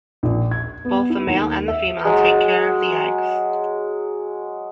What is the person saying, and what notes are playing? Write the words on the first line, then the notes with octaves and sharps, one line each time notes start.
Both the male and the female take care of the eggs.
A#1
G#6
B3
E4
D#2
E5
F#3 G#3